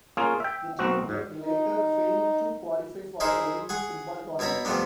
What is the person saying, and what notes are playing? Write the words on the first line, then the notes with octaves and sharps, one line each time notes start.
The team then later failed to qualify for the Olympic football tournament.
A#3 C#4 F4 G#4
E5 G5
B1 C4 F#4
G#2
D#4
D#4 E4 G#4 A#4 C5
G#4 F#5 C#6
B2 E4 C#5 A#5 B5
C3 F3 A3 B3 D4